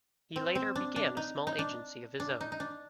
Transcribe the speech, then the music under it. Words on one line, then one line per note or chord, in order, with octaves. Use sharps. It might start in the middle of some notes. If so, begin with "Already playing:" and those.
He later began a small agency of his own.
C4
C4
D4
D4
D#4
D#4
D4
D4
D#4
D#4
D4